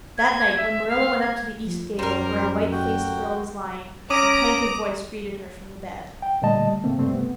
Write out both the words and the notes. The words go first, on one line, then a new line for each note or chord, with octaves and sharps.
That night, when Marilla went up to the east gable, where a white-faced girl was lying, a plaintive voice greeted her from the bed.
G#6
E5
F5
G#6
F3
F#2 G3 A#4 C5 A#5 C6
F#4 G5
C#4 A#5 D6 D#6 A#6 D7 D#7
G5
A#2 D3 G3 A3 D#5 A5
A2 C#3 A3 A#3 C4
G2 C3 G3 A3 C4
B3